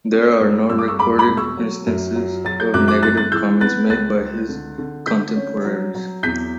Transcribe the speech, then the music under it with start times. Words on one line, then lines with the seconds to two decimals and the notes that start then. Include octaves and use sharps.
There are no recorded instances of negative comments made by his contemporaries.
0.12 C#4
0.40 G2
0.70 G2 E6
0.78 D6
0.88 C#6 E6
0.99 E1 B5 D6
1.18 B5 D6
1.28 B2
1.37 C#6 E6
1.57 F#3
1.87 F#2
2.16 F#3
2.45 F#3 A6
2.60 G6
2.74 F#2 D6 F#6
2.88 D6 F#6
3.03 G1 F#6 A6
3.17 F#6 A6
3.32 E3 E6 G6
3.61 B3 F#6 A6
3.90 C#2 F#6 A6
4.19 C#2
4.49 D3
4.78 D3
5.07 D3 G6 B6
5.36 C#4
5.65 F#3
5.95 F#3
6.23 E2 G6 B6